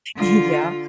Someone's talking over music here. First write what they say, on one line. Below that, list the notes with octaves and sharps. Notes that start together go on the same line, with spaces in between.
Y yeah,
D3 F4